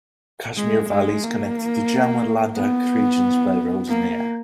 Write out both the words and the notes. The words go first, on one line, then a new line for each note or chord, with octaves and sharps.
Kashmir valley is connected to Jammu and Ladakh regions by road and air.
G#3
G#3
A#3
B3
A#3